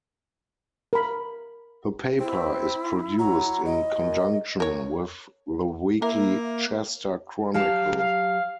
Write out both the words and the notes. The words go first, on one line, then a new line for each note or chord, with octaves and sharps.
The paper is produced in conjunction with the weekly "Chester Chronicle".
A#4 B5
C4 E4
F#3 A#5
D#5
F#2
A#4 C#5
A#3 E4 A#4
F#3 G4 F5 A5
F5